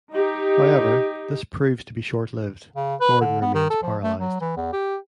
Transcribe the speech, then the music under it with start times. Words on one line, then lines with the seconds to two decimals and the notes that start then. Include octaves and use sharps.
However, this proves to be short-lived; Gordon remains paralyzed.
0.11 D#4 G4
2.76 C#3
3.01 B4
3.21 D3
3.42 B3
3.54 D#3
3.70 A4
3.83 F3
4.03 A3
4.20 F#3
4.41 E3
4.56 E2
4.73 G4